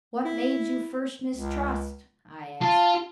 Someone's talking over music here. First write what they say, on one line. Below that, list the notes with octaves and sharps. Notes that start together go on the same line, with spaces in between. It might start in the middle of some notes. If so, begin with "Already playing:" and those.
"What made you first mistrust?" I asked.
E4
C#2
F4 A5